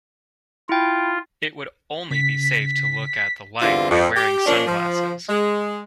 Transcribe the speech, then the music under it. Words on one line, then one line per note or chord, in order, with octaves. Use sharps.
It would only be safe to look at the light by wearing sunglasses.
E4 F4 G5
C#3 B6
E2 G2 D3 C4 F4
F2
G4
F3 A#3 C#4 D4
F3
G#3